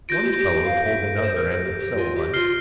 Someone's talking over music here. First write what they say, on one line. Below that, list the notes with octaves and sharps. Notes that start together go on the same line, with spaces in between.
One fellow told another and so on.
F4 G6 A#6 D7
G4
F4
G4
F5
E5
A#4
C5
A#4
A4
G4
G4
F4
G4
F4 F6 C7 G7